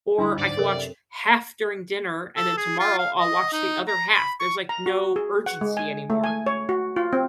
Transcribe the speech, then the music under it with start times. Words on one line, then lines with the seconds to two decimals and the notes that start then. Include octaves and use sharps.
or I could watch half during dinner, and then tomorrow I'll watch the other half, there's, like, no urgency anymore.
0.18 D2 G2 D4 E4
0.38 G#2 D5
0.59 F#2 C3 C4 A4 A#4 C#5
2.36 A4
2.57 G#4
2.79 F4
2.98 F5
3.19 D#5
3.53 D#4
3.88 A#5
4.14 B5
4.40 C#6
4.69 A#5
4.86 F#4
5.16 G#4
5.46 F#5
5.61 G#3
5.77 G#5
6.10 A3
6.24 G#5
6.46 C#5
6.69 F#4
6.96 F4
7.13 C4